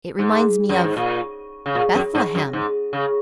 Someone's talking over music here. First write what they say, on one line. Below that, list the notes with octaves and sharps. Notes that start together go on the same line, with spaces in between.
"It reminds me of--Bethlehem."
G#2
F#2
G#2
A#2
C#3
A#2
F#2
G#2
F#2
G#2
C#3